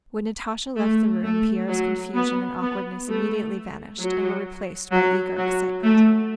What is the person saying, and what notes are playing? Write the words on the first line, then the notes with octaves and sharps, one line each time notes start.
When Natasha left the room Pierre's confusion and awkwardness immediately vanished and were replaced by eager excitement.
A3
A3
F#3
B3
B3
A3
F#3
F#3
F#3
A3